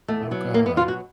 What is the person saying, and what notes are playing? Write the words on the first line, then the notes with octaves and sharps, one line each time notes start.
Oh god.
E2 A3
B2 F#3
E2 A#3
B3
B2 F#3 F4
F#4